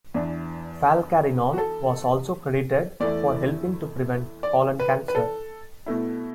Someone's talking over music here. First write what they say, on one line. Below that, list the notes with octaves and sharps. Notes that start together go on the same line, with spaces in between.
Falcarinol was also credited for helping to prevent colon cancer.
E2 E3 D4
F#4
A4
E2 E3 A3 E4 D5
D5
B4
B4
A4
B2 A3 E4